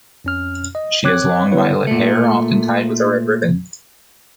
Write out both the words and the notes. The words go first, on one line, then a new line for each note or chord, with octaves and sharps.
She has long, violet hair, often tied with a red ribbon.
F2 C#4 F6
D#5
C4 C#5 D6 F#6 G#6
D3 G3 B3 E4 B4 C#5
A#2 A3